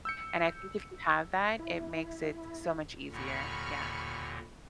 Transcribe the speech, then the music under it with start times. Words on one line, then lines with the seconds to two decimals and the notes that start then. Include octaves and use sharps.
and I think if you have that, it makes it so much easier, yeah.
0.05 E6 G6 C#7
1.59 E4
3.12 D#2 A#2 D3 B5 C#6 F6